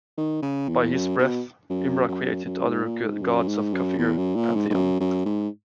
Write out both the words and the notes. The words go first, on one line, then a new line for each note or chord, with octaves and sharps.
By his breath, Imra created other gods of Kafir pantheon.
D#3
C#3
E2
F#2
B2
F#2
F#2
F#2
G#2
A#2
G#2
F#2
G#2
F#2
E2
F#2
A#2
G#2
G#2
F#2
F#2
G#2